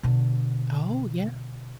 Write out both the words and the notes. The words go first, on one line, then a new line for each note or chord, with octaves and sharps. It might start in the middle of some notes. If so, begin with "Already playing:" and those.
Oh, yeah.
B2 D3